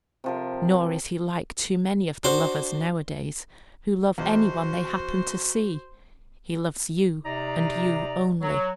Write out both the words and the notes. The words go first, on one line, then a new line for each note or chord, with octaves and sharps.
Nor is he like too many of the lovers nowadays, who love any one they happen to see; he loves you, and you only.
C3 F3 A#4
D4 F#4 C5 C6
E2 B2 F#4 C5
C3 D#4 D5 A#5
F#3